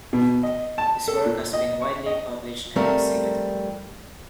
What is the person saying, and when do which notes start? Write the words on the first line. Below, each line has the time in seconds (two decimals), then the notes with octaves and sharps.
His work has been widely published and exhibited.
0.13 B2
0.43 D#5
0.78 A5
1.08 A4
1.26 A#2
1.53 D#5
1.82 C#6
2.06 D#5
2.76 F3 G3 A3 C4 A#4